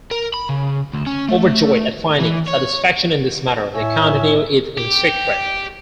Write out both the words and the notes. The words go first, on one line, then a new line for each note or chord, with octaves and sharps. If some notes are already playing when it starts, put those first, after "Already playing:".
Overjoyed at finding satisfaction in this manner, they continue it in secret.
A#4
B5
C#3
D2
C#4
A3
E3
C#5
A2 C#5 E5 G#5
G4